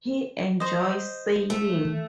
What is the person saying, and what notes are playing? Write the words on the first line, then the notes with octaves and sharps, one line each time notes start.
He enjoys sailing.
C5 D#5
A3